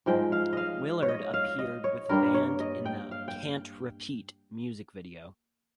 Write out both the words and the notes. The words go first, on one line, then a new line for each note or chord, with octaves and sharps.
Willard appeared with the band in the "Can't Repeat" music video.
G#2 F3 G#3 G5
F5
D#5 F5
C#5
D#5
F5
D#5
C#5
G2 G3 A#3 A#4
C#5
D#5
G5
F5
G5